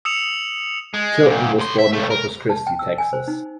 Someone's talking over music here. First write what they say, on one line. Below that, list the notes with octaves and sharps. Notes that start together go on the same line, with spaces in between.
Tilton was born in Corpus Christi, Texas.
D#6 E6 C#7 E7 F7
G#3
D2 A#2
A2 C6
E5
C#3 A3
A#4
A5
G5
E6
G#5
C5
D#4